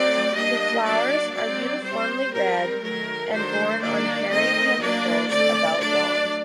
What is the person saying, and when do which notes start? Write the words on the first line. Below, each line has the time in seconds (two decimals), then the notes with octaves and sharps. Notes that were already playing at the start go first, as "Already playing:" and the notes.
The flowers are uniformly red and borne on hairy pedicels about long.
Already playing: F#3 A3 C4 D5
0.36 G3 A#3 D4 D#5
0.85 F#3 A#3 D4 D5
1.34 F#3 C4 D5
1.83 G3 C4 C5
2.33 G3 C4 A#4
2.82 D#3 F#3 A3 A#4
3.32 D#3 F#3 A3 D4 C5
3.81 D#3 F#3 A#3 D4 D5
4.31 D#3 A3 C4 D#5
4.81 F#3 A#3 D4 D5
5.30 D3 A3 C4 D5
5.79 F#3 A3 D4 D5